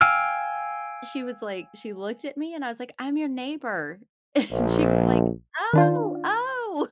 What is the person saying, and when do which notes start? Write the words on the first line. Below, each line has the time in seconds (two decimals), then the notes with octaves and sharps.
she was like she looked at me, and I was like, "I'm your neighbor," and she was like, "Oh! Oh!"
0.01 F5 G5 G#5 E6 F6
4.52 A#1
5.73 D#3 D4 F4